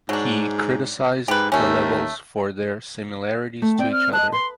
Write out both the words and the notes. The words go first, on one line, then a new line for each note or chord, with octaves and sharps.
He criticized the levels for their similarities to each other.
G#2 F#3 D4
G#2 G4 B4
D#2 A3 C#4
A3
C4 D5 G5
F6
D#5 A5 F#6
B4 C6